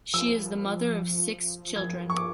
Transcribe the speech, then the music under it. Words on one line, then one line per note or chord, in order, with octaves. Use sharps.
She is the mother of six children.
F3 E6
F3 G#6
C#6
D6